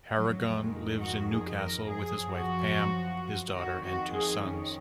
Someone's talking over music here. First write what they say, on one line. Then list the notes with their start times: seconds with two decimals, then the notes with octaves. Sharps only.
Harragon lives in Newcastle with his wife Pam, his daughter and two sons.
0.16 F2 D#3 F#3
0.58 G#3
1.01 F#4
1.30 G#4
1.57 A#4
1.85 F#2 F3 G#4
2.29 F#4
3.56 F2 D#3 F#4
3.85 F#4
4.14 G#4
4.41 C#4